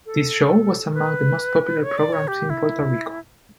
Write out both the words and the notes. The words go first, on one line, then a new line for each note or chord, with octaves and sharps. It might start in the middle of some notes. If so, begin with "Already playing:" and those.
This show was among the most popular programs in Puerto Rico.
A4
A4
B4
C#5
D5
C#5
G4
E4